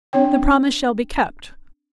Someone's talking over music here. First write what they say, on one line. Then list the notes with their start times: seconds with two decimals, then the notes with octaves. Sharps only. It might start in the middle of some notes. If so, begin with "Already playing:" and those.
'The promise shall be kept.
0.13 C4 D4 C#5 G5